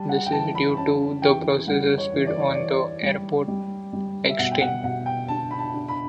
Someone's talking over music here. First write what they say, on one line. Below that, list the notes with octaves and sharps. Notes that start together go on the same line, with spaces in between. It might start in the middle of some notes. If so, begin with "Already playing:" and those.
This is due to the processor speed on the AirPort extreme.
Already playing: G3 A5
F#5
G5
E3 A5
B5
C#4 A5
E3 G5
G3 F#5
C#5
E3
D5
C#5
E3 D5
G3
G3
G3
E5
B2 F#5
G5
F#5
B2 F#5
G5
D4 A5
B5
A5
D4
B5